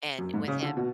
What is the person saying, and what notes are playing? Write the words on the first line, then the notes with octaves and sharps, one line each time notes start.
and with him
F#2
G#2
C#3
D3
B2